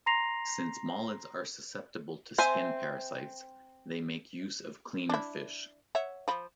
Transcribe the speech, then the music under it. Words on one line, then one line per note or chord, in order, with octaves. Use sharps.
Since molids are susceptible to skin parasites, they make use of cleaner fish.
A#5 C6 A#6 C7 F7
C4 C5 E5 G#5
D4 E4
C#5 E5 F#5
F3 B5